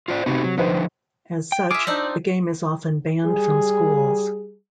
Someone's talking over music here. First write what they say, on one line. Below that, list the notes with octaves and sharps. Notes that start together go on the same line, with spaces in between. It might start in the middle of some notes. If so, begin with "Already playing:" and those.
As such, the game is often banned from schools.
F4 C5 D5
C3 A3 D#4 F#4
F#3
D3 F3 D#4 B4 C5
G5
F4 G#4 E5 D6
C4 D4 D#4 D5
G3 G#4